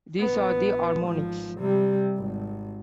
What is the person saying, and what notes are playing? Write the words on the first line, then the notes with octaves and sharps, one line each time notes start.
These are the harmonics.
A#1 B3
G#1 F3
C3 G3
G#1